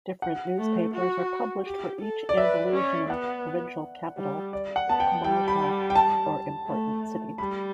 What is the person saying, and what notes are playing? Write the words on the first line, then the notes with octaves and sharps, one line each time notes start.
Different newspapers are published for each Andalusian provincial capital, comarca, or important city.
F#5
A3
F#4
G4
A4
D5
B4 E5
C#4
B3 F#5
G3
D5
F#5
B3 A5
G5
G3 G5
B5
G5
A5
A3
G3 B5